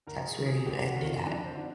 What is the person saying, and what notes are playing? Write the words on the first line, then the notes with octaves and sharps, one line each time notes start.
that's where you end it at.
D2 A#4
G#4
C3 D#3
G#4
G#4
D2 G4
F#4
C3 D#3
F4
F2 D4
C4
D3 F3 D4